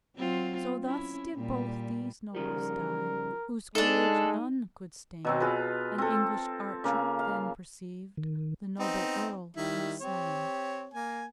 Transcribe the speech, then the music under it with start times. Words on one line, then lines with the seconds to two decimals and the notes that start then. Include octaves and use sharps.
So thus did both these nobles dye, Whose courage none could staine; An English archer then perceiv'd The noble erle was slaine.
0.16 F#3 C4 F4
0.84 C#4 E4
1.35 A#2 G3
2.35 C#3 F3 G3 A#4
3.75 G#3 D4 D#4 A4
5.25 B2 F#3 C4
5.40 F4 G#4 B4
5.98 C4 A4
6.84 C#3 A#3
7.19 F5
8.17 D#3
8.79 B3 C4 D#4
9.57 D#3 G3 E4
10.01 C4 G4 C#5
10.94 A#3 G#5